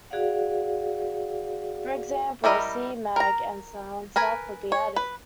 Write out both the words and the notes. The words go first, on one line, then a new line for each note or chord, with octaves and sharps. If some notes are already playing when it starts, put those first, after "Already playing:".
For example, a C-mag and silencer could be added.
F#4 G#4 D5 F5 F#5
G3 E4 A#4 D#5
A#4 A#5
A#4 B4 G#5
C#5
B4